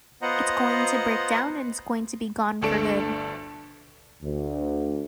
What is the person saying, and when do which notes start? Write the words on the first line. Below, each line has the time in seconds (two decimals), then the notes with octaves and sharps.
It's going to break down and its going to be gone for good.
0.22 B3 F4 C5 D#5 F#5 A#5
2.62 G1 D2 A3 D4 A4 D7
4.23 D2